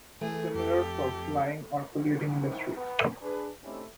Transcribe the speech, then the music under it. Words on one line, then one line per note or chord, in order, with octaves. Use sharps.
Similar for flying, or polluting industries.
E3 A3 G#4
F2 G4 A4
D#3 E4 C5
B3
D4 G#4 B4
A3 C4 C#4 D#4 E4 G4